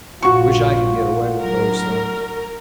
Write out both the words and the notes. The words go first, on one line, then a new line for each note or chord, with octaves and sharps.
Wish I could get away with those things.
A#1 G2 F4 F#4 C#6
A2 D3 F#3 A#4